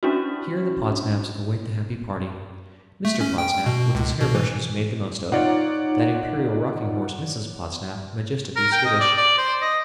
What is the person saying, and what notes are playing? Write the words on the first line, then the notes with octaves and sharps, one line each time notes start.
Here, the Podsnaps await the happy party; Mr Podsnap, with his hair-brushes made the most of; that imperial rocking-horse, Mrs Podsnap, majestically skittish.
C#4 D4 E4 F#4
A3
C#4
G5
B2
C#2
B2
E3
D#4 F4 C#5 D5 F#5
A#4
G5
D#5
D5
D5
C5
D#5